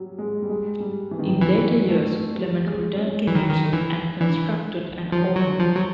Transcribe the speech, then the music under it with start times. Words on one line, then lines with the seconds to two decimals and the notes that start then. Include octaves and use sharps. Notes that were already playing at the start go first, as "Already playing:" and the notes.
In later years, Clement returned to music and constructed an organ.
Already playing: F#3 G3
0.18 G#3
0.42 G3
0.49 G#3
0.80 G3
1.11 E3
1.19 D#3
1.28 E3
1.41 D#3 E3
1.89 A3
2.34 G3
2.66 G#3
2.97 C#4
3.28 E3
3.35 D#3
3.50 D#3
3.73 E3
4.20 E3 D4
5.12 F3
5.36 F#3
5.60 F3
5.76 F#3